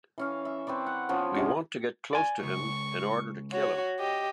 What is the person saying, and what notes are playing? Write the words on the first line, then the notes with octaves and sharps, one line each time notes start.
We want to get close to him in order to kill him.
E3 C#4 F5
E5
C4 B4 C#5 D5
F#5
F3 B3 C#4
C3 G#3 C#4
D5 G#5
C#2 C#6
F#4 C#5
G4 D#5